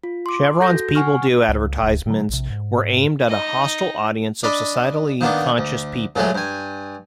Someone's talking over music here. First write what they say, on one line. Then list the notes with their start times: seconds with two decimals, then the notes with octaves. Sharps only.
Chevron's "People Do" advertisements were aimed at a "hostile audience" of "societally conscious" people.
0.04 F4
0.26 C6 D6
0.61 F#4 A4 G6 A#6
0.95 F#5 G#5 C#6 F6
1.49 C#2
1.80 D1 C#2
2.05 A2 D3 F#3
2.29 A#1 C3
2.50 G#2
3.28 D#4 D#5
4.43 D4 D5 D#5 B5
5.21 D#3 A#3 B3 D4
5.58 D2
6.16 A#2 F#3 G#3 A3
6.35 G2 G#5